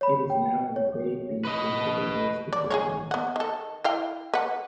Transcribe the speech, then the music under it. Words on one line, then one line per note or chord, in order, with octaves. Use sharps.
It is now a Grade B locally listed building.
C#5 B5
G5
C#5
B4 D#5
D5
G#4 A4 C#5
B3 F#5
D#3 A4
E4 F5 G5
B4 F#5